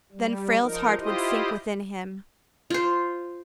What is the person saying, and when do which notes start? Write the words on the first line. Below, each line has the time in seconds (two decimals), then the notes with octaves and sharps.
Then Frale's heart would sink within him.
0.12 G3
0.61 F3 D#4 A#4
0.99 E4 F4 G4 C5 D#5
2.70 F4 C5